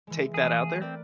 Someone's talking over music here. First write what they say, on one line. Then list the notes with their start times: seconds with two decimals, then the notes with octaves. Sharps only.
Take that out there?
0.07 E3 G#3
0.34 A3 A#3 G#4 A#4
0.82 C4 A#4 B4 D5